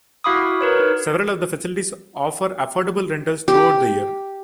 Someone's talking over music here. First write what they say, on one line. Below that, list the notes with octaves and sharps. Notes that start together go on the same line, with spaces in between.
Several of the facilities offer affordable rentals throughout the year.
E4 F#4 F5 B5 D6 D#6
F#4
A#4 B4 C#5
D#4 A#4
G4